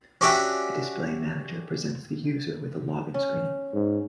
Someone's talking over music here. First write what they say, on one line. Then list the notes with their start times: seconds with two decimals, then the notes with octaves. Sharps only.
A display manager presents the user with a login screen.
0.21 C#4 D4 F#4 G4 E5
3.14 C#4
3.74 G#2